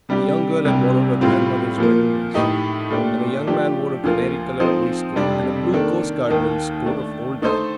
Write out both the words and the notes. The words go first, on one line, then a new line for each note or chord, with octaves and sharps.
A young girl had borrowed her grandmother's wedding dress, and a young man wore a canary-coloured waistcoat and a blue coastguardsman's coat of old time.
C3 G3 D4 G4
C2 C3 G3 D4
A2 G3 C4 F4
A#2 F3 A#3
A2 A3 D#4 G4
A#2 A3 D4 G4
F3 A3 D4 G4
D2 D3 F3 A#3 F4
F3 C4 D#4 A4 C5
F2 C3 G3 D4
D#3 A#3 D4 A4
D#2 D#3 A#3 D#4
D#3 A3 D4
D3 A3 D#4 A4 C5